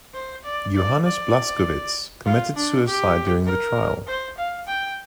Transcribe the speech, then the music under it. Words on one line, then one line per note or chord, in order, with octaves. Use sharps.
Johannes Blaskowitz committed suicide during the trial.
C5
D5
D5
D5
F4
D4
G4
A#4
C5
F5
G5